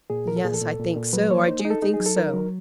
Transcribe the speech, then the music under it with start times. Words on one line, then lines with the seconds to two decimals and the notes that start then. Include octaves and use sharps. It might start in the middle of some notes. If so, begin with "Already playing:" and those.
"Yes, I think so; I do think so."
0.10 A#2 G#4
0.28 F3 A#4
0.36 A4
0.44 A#2 G#4
0.54 A4
0.61 A#2
0.79 A#2
0.96 A#2
1.13 F#3 B4
1.31 A#3 C#5
1.47 D#4 C5
1.60 G#4
1.65 D#4
1.70 A4
1.82 D#4 G#4
1.94 G#4
2.00 F#3
2.06 A4
2.16 D#4 A#4
2.34 F#3